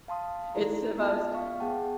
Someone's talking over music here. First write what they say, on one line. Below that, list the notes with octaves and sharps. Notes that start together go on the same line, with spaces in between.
It's the most
F5 A5 C6 D#6
D#4 E4 A4 D5 A#5
B3 F4 D#5 E5 A5
F5 C#6
B3 G#4 F#5 G5 A5